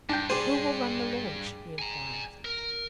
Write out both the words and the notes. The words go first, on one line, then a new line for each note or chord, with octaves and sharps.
"Who will run the launch?" he inquired.
G2 D4 G5
G3 D4 G#4 C5
G#5 A#5
A#4